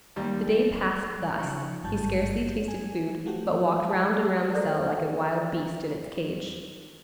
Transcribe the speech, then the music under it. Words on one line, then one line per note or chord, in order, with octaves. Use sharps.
The day passed thus; he scarcely tasted food, but walked round and round the cell like a wild beast in its cage.
D#2 G3
C#3 F3 D#4 C#6
G#1 G2 G3 A5 G6
G#5
F3 A3 F#4 G4
A5
A4 A#4 C5 D5 A#5